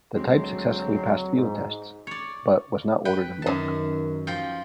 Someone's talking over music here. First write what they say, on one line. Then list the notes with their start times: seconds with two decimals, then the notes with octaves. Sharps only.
The type successfully passed field tests, but was not ordered in bulk.
0.16 D2 F#3 G#3 C4
1.35 G#2
2.07 C#5 D5
3.05 B4 G5
3.42 F#2 D#3 A5
4.27 F3 F4 G5